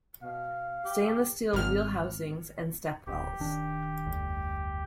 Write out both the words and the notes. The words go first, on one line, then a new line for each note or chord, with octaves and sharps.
Stainless steel wheelhousings and stepwells.
B2 F5
G4
G#1 F6
D1 G4
D#1 D#3 D4
F1 D2 G2